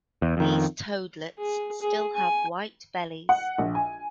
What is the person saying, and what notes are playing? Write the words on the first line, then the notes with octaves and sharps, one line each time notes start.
These toadlets still have white bellies.
E2
F2 D#3
G#4
G#4
G#5
F#5
A#1
G#5